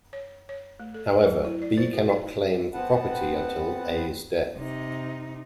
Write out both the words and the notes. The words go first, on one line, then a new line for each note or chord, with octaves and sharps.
However, B cannot claim the property until A's death.
C#5
C#5
A3
A4
D5
F#3
E4
D5
C5
F#4
D#4
B3 C4 B4 F#5 A5
C3 D#4